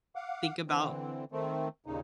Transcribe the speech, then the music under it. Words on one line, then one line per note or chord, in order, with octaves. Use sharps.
think about“
F5 F#5 D6
D3 E3 C4
D#3 A3 C4
D#2 A#2 C#3 D#4